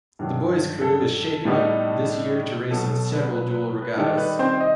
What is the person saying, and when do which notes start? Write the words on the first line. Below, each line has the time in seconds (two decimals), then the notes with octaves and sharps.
The boys crew is shaping up this year to race in several dual regattas.
0.19 G2 D#3 F#3
0.81 A4
1.45 A2 G3 B3 D#4
2.71 B2 F#3 B3 A4
2.93 A4
3.13 B4
3.34 B4
3.51 B4
3.82 B4
3.97 D#3 G3 D#4 A4
4.18 B4
4.39 C4 C5
4.60 D#5